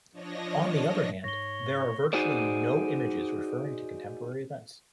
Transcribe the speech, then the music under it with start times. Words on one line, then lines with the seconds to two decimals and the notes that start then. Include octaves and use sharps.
On the other hand, there are virtually no images referring to contemporary events.
0.12 F3 D4 C#5 D#5 A#6
1.24 G#2 C#5 A#6 G7
2.13 D#4 F#4 G#4 C5 D5